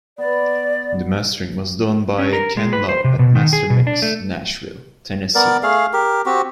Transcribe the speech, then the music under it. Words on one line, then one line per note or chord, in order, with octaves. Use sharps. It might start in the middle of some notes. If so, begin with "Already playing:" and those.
The mastering was done by Ken Love at MasterMix, Nashville, Tennessee.
B3 D5
C#4
A#4
G#3
B4
C5
C3
B2
D#3
G#4
B2
D4
A3
B3 A#4 D5
A3 G#4 F5
G4 A#4
C4 F#4 G4